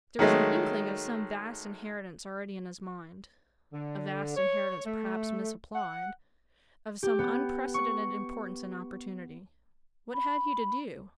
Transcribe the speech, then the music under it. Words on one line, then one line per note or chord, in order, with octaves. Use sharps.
There was an inkling of some vast inheritance already in his mind--a vast inheritance perhaps misapplied--of some unprecedented importance and opportunity. What had he to do?
D#3 F#3 G#3 A3
D3
C#5
A3
F#5
G4
B3
C#6
B5